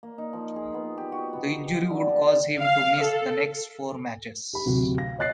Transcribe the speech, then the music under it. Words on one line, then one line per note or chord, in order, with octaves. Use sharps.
The injury would cause him to miss the next four matches.
A#3
D#4
F3
G#4
B3
G4
F#4
B3
G4
G4
D3
D3
F5
A4
G4 B5
D1 C3 F#4
F5 A#6
C#5 D#5 F#6 A6 C7